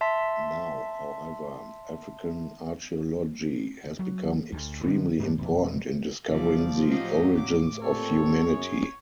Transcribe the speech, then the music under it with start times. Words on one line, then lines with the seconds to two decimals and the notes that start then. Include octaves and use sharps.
Now, however, African archaeology has become extremely important in discovering the origins of humanity.
0.01 E5 A5 C6 B6
3.99 F#3
4.52 D2
4.84 D3 G3 B3
5.20 G2 A3 D4
5.38 E1 F2
6.31 C3 F3 G3 E4 F4 D5
6.91 A2 F#3 G4 D#5 F5
7.37 D6
7.82 A#2 C4 G4 A4 C#5
8.47 F#2 G#4